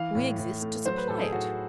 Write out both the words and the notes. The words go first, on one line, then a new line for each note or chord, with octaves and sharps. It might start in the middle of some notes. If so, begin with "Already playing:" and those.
We exist, to supply it.
Already playing: E3 F5
A2
A2
A3
F#3 C5
B4
A2 A4
G#4
A2 F#4